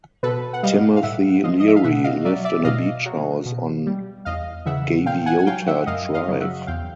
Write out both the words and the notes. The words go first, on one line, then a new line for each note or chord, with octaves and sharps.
Timothy Leary lived in a beach house on Gaviota Drive.
B2 A4 B4
F#5
G3 D#5 F5
F5
A2 E5 F#5
F3 D#5 F5
D#5
E5
F5
B2 E5 F#5
D#5 F5
F#3 D5 E5
D5 E5
B2 D#5 F5
F#3
B2
G3
E2 D#5 F5
C#3 E3 E5 F#5
A#2 F5 G5
F#5 G#5
G#5
F#3 F5 G5
E5 F#5
F#2 D#5 F5
D#5 F5
C#3 F#3
E5 F#5
E2 F5 G5